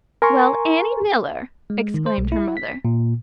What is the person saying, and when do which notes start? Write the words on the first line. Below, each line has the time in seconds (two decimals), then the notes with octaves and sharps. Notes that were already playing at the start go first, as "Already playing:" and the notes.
"Well, Annie Miller!" exclaimed her mother.
0.22 A#4 G#5 A#5 C6 C#6
1.70 G#3
1.94 D#3
2.06 C5
2.18 B1
2.32 E4
2.57 B6
2.85 A#2